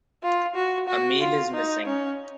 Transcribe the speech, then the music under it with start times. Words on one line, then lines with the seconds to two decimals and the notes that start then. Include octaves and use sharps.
A meal is missing.
0.23 F4
0.55 F#4
0.88 F#4
1.21 F4
1.54 D#4
1.86 C#4